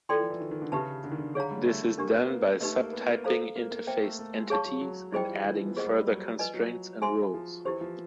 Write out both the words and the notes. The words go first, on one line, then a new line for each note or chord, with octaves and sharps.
This is done by subtyping interfaced entities and adding further constraints and rules.
E3 F4 A4 D5 G5 C6
F3
E3
D#3
D#3
D3
C#3 G4 B4 E5 A5
D3
D#3
D3
D3 G#4 C#5 F5 A#5
G3
A3
A3
A#3 D4 G4 A#4
B3
A#3
A3 D#4 G4 B4 D#5
A#3
B3
A#3
A4 C5 F5 A#5
A#3
A#3
A#3 C5 E5 G5
A3
A3
G#3
G#4 C#5 F5 A5 C#6
F#3
F#3
G3 E4 G#4 C5 D#5 G5
F3
E3
F3
B3
A#3 G#4 C5 D#5 F#5
G3
G3
F#3
F3 B4 D#5 G#5
F#3
G#4 C5 E5 G#5 C6
F3
E3 E4 G4 C5
F3